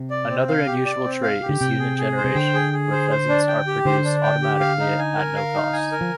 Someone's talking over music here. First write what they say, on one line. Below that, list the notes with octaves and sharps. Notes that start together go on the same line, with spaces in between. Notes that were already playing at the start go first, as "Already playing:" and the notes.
Another unusual trait is unit generation, where peasants are produced automatically at no cost.
Already playing: C3
D5
C4
F5
G4
D5
C4
F5
G4
D3
C3 G5
G#4
G#4
C5
C3
D3 G5
G#4
G#4
C5
C5
D4
G5
G4
D3 C5
D4
G5
G4
F5
D#4
G#5
A#4
F5
D#4
G#5
A#4
F3